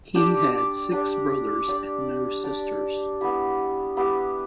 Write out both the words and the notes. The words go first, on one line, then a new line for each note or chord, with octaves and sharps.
He had six brothers and no sisters.
D4 G4 D5
D4 G4 D5
D4 G4 D5
D4 G4 D5
B3 E4 G4
B3 E4 G4